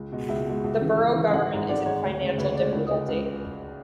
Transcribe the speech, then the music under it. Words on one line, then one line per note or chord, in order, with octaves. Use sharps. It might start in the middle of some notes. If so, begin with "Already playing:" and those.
The borough government is in financial difficulty.
Already playing: C#2
B2 G#3
C#2 E5
B2 G#3
C#2
C#3 E3
C#2
C#3 E3
G#1 F#5
G#2 G#3
G#1 D5
G#2 G#3 C#5
D2
C#3 G#3
D2 B4
C#3 G#3 D5
C#2
C#3 G#3
C#2